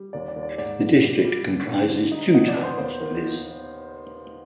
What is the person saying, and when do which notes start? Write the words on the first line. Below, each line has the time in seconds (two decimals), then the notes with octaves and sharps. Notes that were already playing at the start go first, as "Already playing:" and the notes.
The district comprises two towns viz.
Already playing: G3
0.13 D#2 D5
0.28 D5
0.36 D#2
0.43 D5
0.58 G#2 D5
0.80 B3
1.02 G3
1.24 G3
1.46 D3
1.68 D3
1.90 G3
2.12 D#4
2.34 B2 D#5
2.48 D5
2.56 B3
2.63 C5
2.78 D#2 C5
3.00 D#3